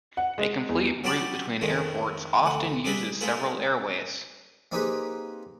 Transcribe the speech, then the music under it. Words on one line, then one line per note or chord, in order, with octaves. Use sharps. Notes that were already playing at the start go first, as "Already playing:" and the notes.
A complete route between airports often uses several airways.
F#5
G#3
E2
F#3 C#4 G4 D5 A5 B5
F2 D#3 G#3
D2 F#5
G3 D4 G#4 B4 E5
G#3 D#4 F4 A4 B4 G#5
A#3 C4 D#4 G4 G#4 B4